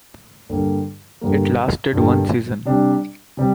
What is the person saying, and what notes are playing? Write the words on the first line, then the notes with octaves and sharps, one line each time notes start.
It lasted one season.
G2 D3 G3 A#3
G2 D3 G3 A#3
G2 D3 G3 A#3
C3 G3 D4
C3 G3